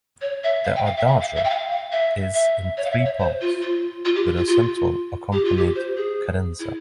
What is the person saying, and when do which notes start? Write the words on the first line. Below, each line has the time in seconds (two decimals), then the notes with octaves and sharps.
The Adagio is in three parts, with a central accompanied cadenza.
0.21 C#5
0.44 E5
0.65 F5
0.76 G5
0.86 F5
0.97 E5
1.08 E5
1.21 F5
1.36 E5
1.45 G5
1.50 F5
1.71 F5
1.92 E5
2.34 E5
2.77 C#5
2.85 F5
2.91 E5
3.05 C#5
3.19 C5
3.41 F4
3.62 F4
4.05 F4
4.16 G4
4.26 F4
4.36 F4
4.48 F4
5.33 G4
5.45 F4
5.57 G4
5.76 C5
5.97 G#4
6.60 E4